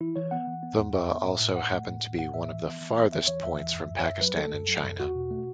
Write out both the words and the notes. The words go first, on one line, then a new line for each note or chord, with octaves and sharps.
Thumba also happened to be one of the farthest points from Pakistan and China.
E3 E4
E3 C#5
B3 F#5
E3
B3
E2
E2 E5
B3
A2
A2
A2 F#5
A3
A2
A2
A2 F#5
A2 E5
E3
B3
E3
B3
E2 E5
E3 C#5
E2 E5
E3
F#2
F#2
C#5
F#2 E5
F#3 B4
A3 A4
F#2
F#3
F#2
E2 F#4
B2
A3